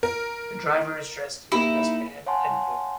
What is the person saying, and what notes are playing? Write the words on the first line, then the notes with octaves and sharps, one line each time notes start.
The driver is dressed in his best band and bib.
A#4
A#3 D#4 E4 G4
C#5 F5 F#5 G#5 A5 C6